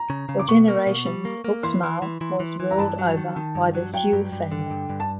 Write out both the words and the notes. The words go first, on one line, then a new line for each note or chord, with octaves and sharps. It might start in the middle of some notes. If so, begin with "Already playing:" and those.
For generations Uxmal was ruled over by the Xiu family.
Already playing: A#5
C#3
C#3
D6
B2 C#6
A#3
B2
G3
A#3
A#3
E3 C6
E3
E3
E3
E3
E3
A#5
G2 A5
F#3
D#3
D#3
G2
F#3
F#3 G5
G2
G2
D3
G2
G2
A5